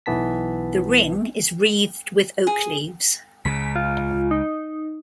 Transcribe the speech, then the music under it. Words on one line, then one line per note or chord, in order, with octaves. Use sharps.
The ring is wreathed with oak leaves.
B1 E3 B3 A5 B6
G#4
C#2 C#3 B6
F4
D#4